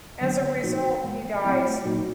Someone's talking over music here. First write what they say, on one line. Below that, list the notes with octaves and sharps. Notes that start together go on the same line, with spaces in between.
As a result, he dies.
D3 F#3 B3
A#2 F3 A#3 D#4 F#4
A2 E3 G#3 B3
A#2 F#3 A3 C4 E4
A#2 F#3 A#3 D#4 F#4